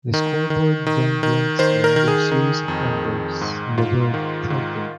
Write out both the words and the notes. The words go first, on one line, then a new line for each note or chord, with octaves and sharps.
The scoreboard then blinks a random series of numbers and the word Tilted.
D#3
D#3
D#3
D#3
D#3 C5
A#4
D#3
G#4
D#3
F2
D#3
G#2
G#2 F4
D#3
G#2